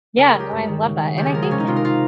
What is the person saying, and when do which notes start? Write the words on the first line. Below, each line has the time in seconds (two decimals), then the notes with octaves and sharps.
Yeah, no, I love that. And I think
0.17 C#3 A#4
0.29 G#4
0.34 C#2
0.40 G4
0.51 G2
0.68 D#3
0.85 C#3
1.02 C#3
1.18 C#2 G4
1.26 G#4
1.34 F3 A#4
1.43 G#4
1.51 C3 C#4
1.60 D#4
1.68 C3 F4
1.76 A#4
1.85 F4